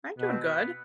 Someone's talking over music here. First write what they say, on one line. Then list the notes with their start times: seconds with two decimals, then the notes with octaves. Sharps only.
I'm doing good.
0.18 B2 B3
0.30 C4
0.42 B3